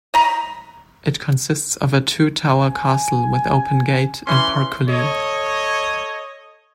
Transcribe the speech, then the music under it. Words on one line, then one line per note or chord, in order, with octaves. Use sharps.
It consists of a two tower castle with open gate and portcullis.
D#5 A#5 B5
G#5
E3 C#4 C6
A4 C#5 D#5